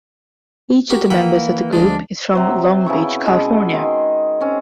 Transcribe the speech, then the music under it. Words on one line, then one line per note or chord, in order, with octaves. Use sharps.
Each of the members of the group is from Long Beach, California.
F#4 G4 A#4
E3 A#3 F#5 G5 B5
D2 F3 G#3 D4
C3 F#3 C5
C#3 B3 E4 C#6
B2 G#3 G#4
D#3 C6
C4 C#4